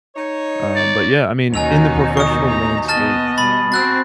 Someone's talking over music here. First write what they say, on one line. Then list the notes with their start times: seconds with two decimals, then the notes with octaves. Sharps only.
Um, but yeah, I mean, in the professional landscape,
0.16 D#4 C#5
0.76 D5
1.54 D#2 B2 C#4 D#4 F#4 G#5 E6 F7
2.17 C#6 D#6
2.48 A#5
2.88 B3 D#5 A5 F6 A6
3.38 B2 G3 B5 A6
3.72 C4 F#4 E6 F#6 A6